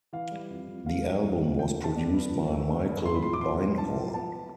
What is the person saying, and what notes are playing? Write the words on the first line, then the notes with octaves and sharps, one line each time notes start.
The album was produced by Michael Beinhorn.
E3 F5
G3
F2
F2
E3 F5
G3
F2
F2
F3 G5
A3
A5
D4
G2
F3
A3
D4
G2
A2 C6
B5
F3 C6
D6
B3 C6
B1
A2 A5
F3
B3 A5